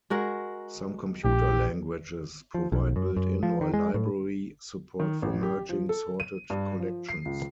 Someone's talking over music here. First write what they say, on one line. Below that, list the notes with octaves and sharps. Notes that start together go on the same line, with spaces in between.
Some computer languages provide built-in or library support for merging sorted collections.
G#3 F#4 A#4
A#1 G4
F3
B1
F#2
F#2
F3
D#3
G#3
A2
D#3
A1
G4
F3
A4
D#7
G2
F3
C7
C#2